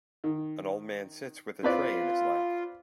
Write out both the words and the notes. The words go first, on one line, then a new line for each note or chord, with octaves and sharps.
An old man sits with a tray in his lap.
D#3
C4 F4 B4 D5